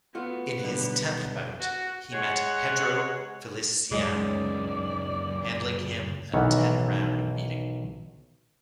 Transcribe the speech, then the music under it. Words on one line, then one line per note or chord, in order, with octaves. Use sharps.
In his tenth bout, he met Pedro Feliciano, handling him a ten-round beating.
A3 B3 F4 F#4
B1 D3 G3
F#4
G#3 C#5 F#5
C#2 F#2 G#3 C#4 D#4 D5
B1 D#3 E3 F#5